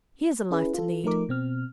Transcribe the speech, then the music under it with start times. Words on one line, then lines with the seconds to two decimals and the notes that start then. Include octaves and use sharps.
Here's a life to lead!
0.51 C#4 E4 G#4 B4
0.74 F4 A4
1.04 F3 A3 D#4 A#4 D6
1.29 B2 C4 F6